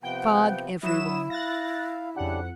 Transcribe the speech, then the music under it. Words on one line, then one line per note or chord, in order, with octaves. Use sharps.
Fog everywhere.
C3 F3 B3 F#5 G5
F#3 E4 E5 B5 D#6 E7
F5 F#6 A6 A#6
F2 C#3 D4 G4 F#5